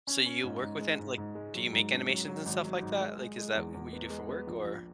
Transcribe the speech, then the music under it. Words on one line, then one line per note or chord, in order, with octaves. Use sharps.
So you work within like, do you make animations and stuff like that, like, is that what you do for work or
C#4
C#4
G#2
G#2
G#3
G#2
G#2
G#3
F#3
G#2
C#4
F#3
F#3
G#1
F#3
G#2
G#3
G#3
G#3
E2
E2
B3
G#3
B3
A#1
A#1